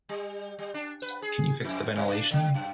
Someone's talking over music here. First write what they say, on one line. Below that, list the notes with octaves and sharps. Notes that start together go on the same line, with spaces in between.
Can you fix the ventilation?
G3
G3
D4
B4
G#4
F2
C3
D4
D3
F#2